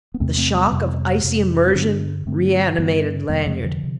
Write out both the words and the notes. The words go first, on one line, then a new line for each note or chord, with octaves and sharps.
The shock of icy immersion reanimated Lanyard.
B3
E2 C3 A3 C4
A3 C4
G3 B3
F2 C3
F2 C3
C4
G2 D3 B3 D4
G2 D3 A3 C4
G2 D3 G3 B3
F2 C3 G3 B3
F3 A3
D3 F3
C3